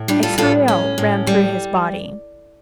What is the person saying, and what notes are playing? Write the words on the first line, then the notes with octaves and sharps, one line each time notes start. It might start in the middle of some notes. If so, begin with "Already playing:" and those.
A thrill ran through his body.
Already playing: A2
G3 D4 F4
F4 A4
A2 F4 A4
C#4
A2
G3